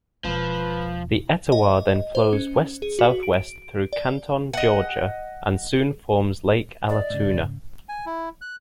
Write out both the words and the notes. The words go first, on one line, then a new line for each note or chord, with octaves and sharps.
The Etowah then flows west-southwest through Canton, Georgia, and soon forms Lake Allatoona.
E1 F3 B4
D#5
C5
C#4
G#4
F#4
D7
D5
D#5 F#5
D5 D#5
G#2 C#3
G#5
E4
F#6